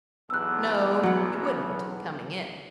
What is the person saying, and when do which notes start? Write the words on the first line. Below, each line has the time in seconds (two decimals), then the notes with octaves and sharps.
"No, he wouldn't, coming in."
0.30 B1 E2 B3 E6 F#6
1.03 F#3 F#5